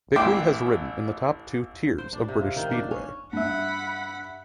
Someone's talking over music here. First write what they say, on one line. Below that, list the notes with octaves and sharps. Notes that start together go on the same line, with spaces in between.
Bickley has ridden in the top two tiers of British Speedway.
A1 E4 G5 C6 D6
C5
D4
C3
F4
D#3
D4
C#4
G2 E5 F#5 B5